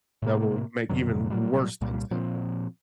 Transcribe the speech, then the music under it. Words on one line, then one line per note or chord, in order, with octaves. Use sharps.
that will make even worse things happen
A2 C3 A#3
F2 B2 D3 F#3
A#2 F#3 G3
C2 A#2 G3
A#2 F3 C4